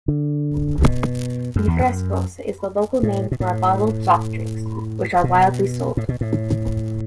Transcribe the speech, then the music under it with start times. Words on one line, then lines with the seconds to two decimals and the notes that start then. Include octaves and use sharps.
Refrescos is the local name for bottled soft drinks, which are widely sold.
0.08 D3
0.82 B2
1.56 F#2
1.68 E2
1.80 F#2
3.03 A2
3.31 B2
3.40 A2
5.24 B2
5.97 A2
6.09 B2
6.21 A2